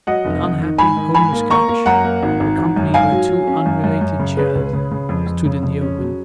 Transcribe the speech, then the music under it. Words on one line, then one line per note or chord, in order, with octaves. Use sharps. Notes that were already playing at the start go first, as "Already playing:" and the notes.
An unhappy, homeless couch, accompanied by two unrelated chairs, stood in the open.
F#3 D#5 F#5
F1
F2
D#3
G#2 G#5 B5
D#3
G#2 G#5 B5
A#3
A#3 A#5 C#6
A#3
F#2 F#5 A#5
A#3
G#1
G#1
G#1
F#2
G#2 F5 G#5
F#3
F#3
C#4
F#2
F#2
F#2
C#3
C#4 G#4 B4
C#2
C#3
C#3
F2
F2
C#3
F2
C#4
F#3